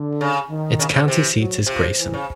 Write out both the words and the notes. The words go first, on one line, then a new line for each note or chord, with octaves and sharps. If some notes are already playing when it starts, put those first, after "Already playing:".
Its county seat is Grayson.
Already playing: D3
C#3
D#3
C#3
C3
C3 E3
F#3
C3 F3
E3
C#3